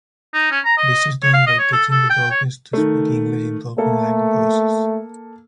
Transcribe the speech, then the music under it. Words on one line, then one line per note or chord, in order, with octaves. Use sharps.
This is done by teaching the dolphins to speak English in dolphin-like voices.
D#4
C#4
A#5
D#5
C#5
F5
D#5
C#5
A4
A4
G5
C#5
D#3 A3
A3 A#3 A4